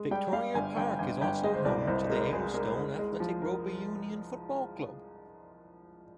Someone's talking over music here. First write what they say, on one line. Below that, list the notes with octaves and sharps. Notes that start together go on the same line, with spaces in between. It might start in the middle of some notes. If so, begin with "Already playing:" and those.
Victoria Park is also home to Aylestone Athletic Rugby Union Football Club.
Already playing: G#3
G3 G5
G3 F5
G1 G#5
G1 G5
G1 G#5
G1 G5
G#3 D#5
C5
C2 D5
C2 C5
G#3 A#4
G#3 G#4
G#3 A#4
G#3
G#3
F3
A#4